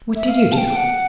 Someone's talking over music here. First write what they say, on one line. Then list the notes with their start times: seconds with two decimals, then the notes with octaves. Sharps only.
"What did you do?"
0.16 E5
0.28 F5
0.52 A5
0.57 G5
0.75 F#5